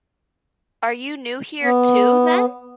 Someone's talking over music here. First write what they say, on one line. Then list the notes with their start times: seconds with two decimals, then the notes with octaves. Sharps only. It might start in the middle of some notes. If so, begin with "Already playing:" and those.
Are you new here, too, then?
1.63 B3